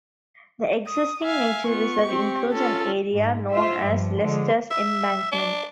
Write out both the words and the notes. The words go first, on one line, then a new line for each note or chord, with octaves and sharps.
The existing nature reserve includes an area known as 'Lester's Embankment'.
D#6
E5 F5 G#5
B3 F4 C#6
C4 G4
C#4 F4 A4
G#2
F4 C5 E5
G2 F3
D3 F3 G#3
E5
D4